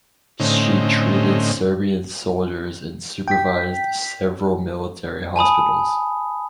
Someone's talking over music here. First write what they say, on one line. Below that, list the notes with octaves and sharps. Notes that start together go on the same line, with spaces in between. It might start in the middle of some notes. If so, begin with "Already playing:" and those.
She treated Serbian soldiers and supervised several military hospitals.
A2 D3 C4 C#4 D#4
G5 B6
G#5 A5 B5 D#6